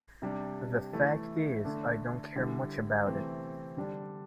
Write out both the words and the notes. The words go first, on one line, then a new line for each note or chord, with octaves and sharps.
The fact is, I don't care much about it.
C3 G3 D4
E3 A3 E4
D3 A3 D4
D3 G3 E4
C3 E3 A3 C4
D3 G3 D4